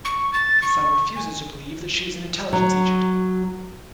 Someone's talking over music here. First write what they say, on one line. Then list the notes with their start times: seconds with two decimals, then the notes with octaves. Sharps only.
His son refuses to believe that she is an intelligence agent.
0.05 C#6
0.34 A6
0.62 C#6
1.16 G#5
2.53 F#3